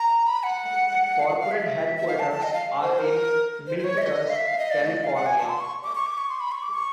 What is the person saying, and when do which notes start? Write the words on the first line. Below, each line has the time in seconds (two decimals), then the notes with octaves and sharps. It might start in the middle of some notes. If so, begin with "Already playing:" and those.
Corporate headquarters are in Milpitas, California.
Already playing: A#5
0.27 B5
0.43 F#5
1.20 F5
1.28 F#5
1.40 F5
1.51 E5
1.59 D#5
1.63 E5
1.96 E5
2.08 F5
2.19 A5
2.31 A5
2.43 D#5
2.54 F5
2.82 C5
2.99 A#4
3.67 C5
3.78 C5
3.84 C#5
3.98 E5
4.02 D#5
4.30 F5
4.35 E5
4.47 F5
4.59 D#5
4.70 D5
4.86 D#5
5.04 F5
5.15 F#5
5.26 G#5
5.38 A5
5.49 C6
5.60 C#6
5.84 D6
5.95 C#6
6.06 D6
6.18 C#6
6.29 C6
6.40 B5
6.52 C#6
6.62 D6
6.74 C#6